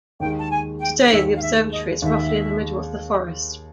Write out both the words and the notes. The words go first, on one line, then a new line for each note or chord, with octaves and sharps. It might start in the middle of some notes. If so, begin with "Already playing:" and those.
Today, the observatory is roughly in the middle of the forest.
D#2 D#3 G#3 G5
A5
G#5
G5
D#2 D#3 G#3 E5
F5
E5
D#5
D#2 D#3 G#3 E5